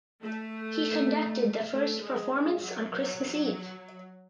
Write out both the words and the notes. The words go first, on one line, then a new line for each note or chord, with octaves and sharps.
He conducted the first performance on Christmas Eve.
A3
A3
G#3
G#3
F#3
F#3